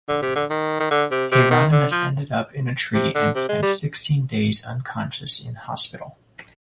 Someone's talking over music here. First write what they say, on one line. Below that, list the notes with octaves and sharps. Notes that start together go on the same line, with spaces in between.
Hieronymus ended up in a tree and spent sixteen days unconscious in hospital.
D3
C3
D3
D#3
D#3
D3
C3
C3
D#3
D3
F3
C3
D3
C3
G#3
G3